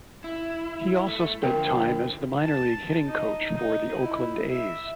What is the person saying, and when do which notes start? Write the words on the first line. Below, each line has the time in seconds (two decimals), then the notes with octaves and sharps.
He also spent time as the minor league hitting coach for the Oakland A's.
0.24 E4
1.07 A3
1.43 D3 F3 A#4 G5
2.42 A5
3.06 D#4
3.55 D#4
4.00 E4
4.50 E5